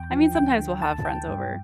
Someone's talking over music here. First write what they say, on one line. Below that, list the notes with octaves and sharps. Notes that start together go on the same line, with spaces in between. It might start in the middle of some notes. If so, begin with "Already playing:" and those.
I mean, sometimes we'll have friends over
Already playing: E2 G5
F3
D2 G5
D3
D2 A5
D2 G5
G2